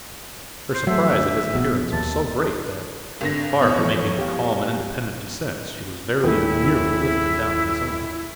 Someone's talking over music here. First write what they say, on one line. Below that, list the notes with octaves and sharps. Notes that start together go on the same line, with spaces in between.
Her surprise at his appearance was so great that, far from making a calm and independent descent, she was very nearly lifted down in his arms.
C5
F#3 A3 E5
D2
A#1 B2
D#2 A5
G#1 D3 A#6
E2 B2 C#5
E3 F3 A4
G4 F5
D#1 E4